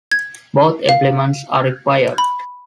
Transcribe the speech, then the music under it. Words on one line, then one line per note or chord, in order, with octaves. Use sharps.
Both elements are required.
G#6
F5
B5